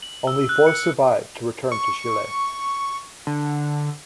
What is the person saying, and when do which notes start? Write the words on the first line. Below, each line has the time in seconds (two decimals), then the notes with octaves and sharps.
Only four survived to return to Chile.
0.03 F#7
0.27 E6
0.49 F#6
0.66 C#7
1.72 C#6
3.27 D3